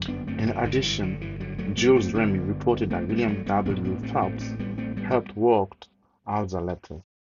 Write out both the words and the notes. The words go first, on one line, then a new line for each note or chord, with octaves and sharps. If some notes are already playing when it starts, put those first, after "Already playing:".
In addition, Jules Remy reported that William W. Phelps helped work out the letters.
Already playing: G1 F#2 D3
B3 D4
A3 C4
D3
G1 F#2 D3
E3
D3
E3
D3 F#3
F#3 A3
G3 B3
A3 C4
G1 F#2 D3 B3 D4
A3 C4
G3 B3
F#3 A3
G3 B3
A1 A2 B3 D4
B3 D4
A3 C4
A3 C4
A3 C4
G3 B3
A3 C4
G3 B3